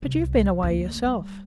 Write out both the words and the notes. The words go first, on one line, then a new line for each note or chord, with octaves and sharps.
But you've been away yourself.'
C2
D2 A#3
G3